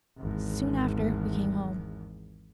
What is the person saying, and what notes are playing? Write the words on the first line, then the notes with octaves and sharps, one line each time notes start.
Soon after we came home.
G#1 E2